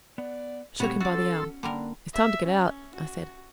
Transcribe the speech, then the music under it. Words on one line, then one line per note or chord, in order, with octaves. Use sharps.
I shook him by the arm, 'It's time to get out,' I said.
B3 D5 F#5
A#2 G3 A3 B3 C4 F#4 G4 C#5
F3 C#4 F#4 D5 C6 E6 A6
A4
D3 G3 A#3 D4 A#4
E5
C#4
F#4